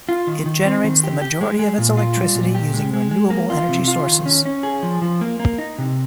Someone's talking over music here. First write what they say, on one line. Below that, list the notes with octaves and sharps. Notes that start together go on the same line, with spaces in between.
It generates the majority of its electricity using renewable energy sources.
F4
D#3
D#3
C4
D#3
G4
G4
G#3
G#3
A#2
F4
G3
A#2
G4
G#3
G#3
G#3
A#3
F4
C3
F4
D#3
C#4
C#4
G#4
F3
F3
A#3
A#3
D#4
C3